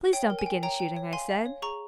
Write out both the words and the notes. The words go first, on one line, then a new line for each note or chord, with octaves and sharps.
'Please don't begin shooting,' I said.
C#5 G5
A#4
G#5
G5
C#5 G5 A#5
G5
C#5
F5 G#5 C6
F5
C#5
G#4 A#5 C#6